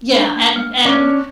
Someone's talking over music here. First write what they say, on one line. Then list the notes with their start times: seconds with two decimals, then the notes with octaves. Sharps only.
Yeah, and and,
0.14 D4 D#4
0.36 A#3
0.56 G#3
0.85 C#4 D4